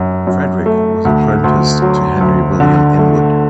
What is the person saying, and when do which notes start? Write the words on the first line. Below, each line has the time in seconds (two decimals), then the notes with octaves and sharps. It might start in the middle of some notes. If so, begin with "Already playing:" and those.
Fredrick was apprenticed to Henry William Inwood.
Already playing: F#2
0.27 F#2
0.66 A3
1.05 D2
1.44 D2
1.82 F#3
2.21 D2
2.60 D3
2.99 A3